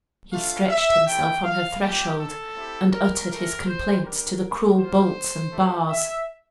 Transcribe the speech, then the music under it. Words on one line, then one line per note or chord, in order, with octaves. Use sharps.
He stretched himself on her threshold, and uttered his complaints to the cruel bolts and bars.
A3 D4 F4 F5
E5
A3 C4 E4 G4 G5
F5
A#3 F4 G4
A4
A3 C4 E4 G4
A#4
A3 E4 G4 A#4
C5
G3 D4 G4 A#4
A#3 F4 C5
A3 E4 G4
E5